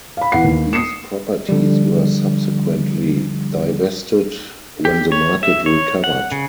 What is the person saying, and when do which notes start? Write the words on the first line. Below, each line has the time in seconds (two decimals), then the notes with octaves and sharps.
These properties were subsequently divested when the market recovered.
0.17 F5 B5
0.32 E2 F#5 C7
0.44 D#2
0.73 D#6 C7 C#7 E7
1.49 D3 F3 G3
4.85 G4
5.12 C#5
5.43 E5
5.66 C#5
6.04 F#5
6.32 C#3